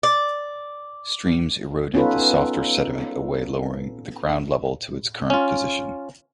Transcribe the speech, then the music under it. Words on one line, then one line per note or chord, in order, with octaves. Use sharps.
Streams eroded the softer sediment away, lowering the ground level to its current position.
D5
B3 C#4 D#4 F4 A4 B4
C#4 F4